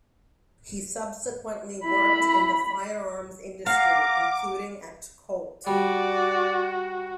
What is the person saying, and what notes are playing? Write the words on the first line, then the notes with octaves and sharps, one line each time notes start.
He subsequently worked in the firearms industry, including at Colt.
E4 B5
F5 F#5 A#5 D6
G3 F#4 D5